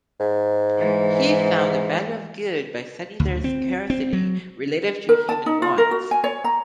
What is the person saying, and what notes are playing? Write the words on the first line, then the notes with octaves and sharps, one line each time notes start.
He found the value of goods by setting their scarcity relative to human wants.
G#2
E3 G#3
D2
C4
C4
F#3
A#4
A5
D#4
F4
A#4
F#4
G#5
C#5
A#5